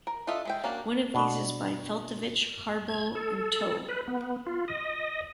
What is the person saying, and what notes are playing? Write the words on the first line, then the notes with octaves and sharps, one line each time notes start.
One of these is by Feltovich, Harbaugh and To.
A#4
D4 F4 A4 D#5 E5
G#3 E5 G5
A#3 C#4 D4 F#4 A#4
B2 D4
G#6
A4
B4
B3
F4
D#5